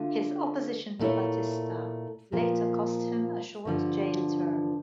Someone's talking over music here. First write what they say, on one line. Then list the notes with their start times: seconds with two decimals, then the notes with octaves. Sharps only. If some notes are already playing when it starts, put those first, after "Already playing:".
His opposition to Batista later cost him a short jail term.
Already playing: D3 A3 D4 F4
0.99 A#2 A3 E4 A4 C#5
2.32 A#2 F3 A#3
3.65 G2 D3 F3